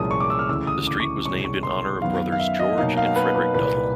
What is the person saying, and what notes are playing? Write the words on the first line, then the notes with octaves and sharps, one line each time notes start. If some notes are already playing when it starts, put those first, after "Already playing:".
The street was named in honour of brothers George and Frederick Duddell.
Already playing: C2 A#2 F3 G#3 C#4 D#6
C#6
D6
E6
F6
D2 C#3 E3 E6
D#6
D6
C#6
C2 B2 G#3 C#4 C#6
C#6
C6
F#2 D#3 F#3 B3 F5
F5
E5
D#5
B2 F#3 A#3 D#4 F5
F5
B4
B4
C2 A#2 G3 B4